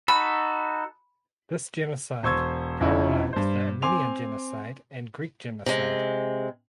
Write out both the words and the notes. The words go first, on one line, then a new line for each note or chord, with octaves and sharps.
This genocide paralleled the Armenian genocide and Greek genocide.
D#4 F#4 A4 B5
E1 C5 C#6 E6 G#6
F1 F2 C#4 D#4 E4
G2 C5
C4 G#5 C6 D6 F7
C3 G#3